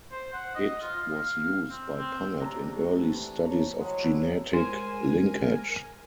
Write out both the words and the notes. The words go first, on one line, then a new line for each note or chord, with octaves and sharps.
It was used by Punnett in early studies of genetic linkage.
C5
F#5
D#5
F4
F5
F5
C4
C4
C3 D4 A#5
A3
E3
C#5 A#5
F#3 G#3
D4 E4
G#3 A#4 C5 G#5